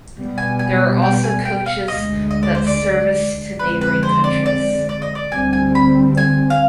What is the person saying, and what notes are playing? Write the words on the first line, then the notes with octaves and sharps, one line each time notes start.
There are also coaches that service to neighbouring countries.
B2 G3 B3
G#5
G#5
G5
G#5
G5
F5
D2 D3 G#3 D#5
D#5
D5
C5
D5
F2 D3 G#3 C4 B4
B4
C5
D5
D5
D5
D#5
D5
D2 D3 G3 C4 G#5
G#5
B5
G#5
F5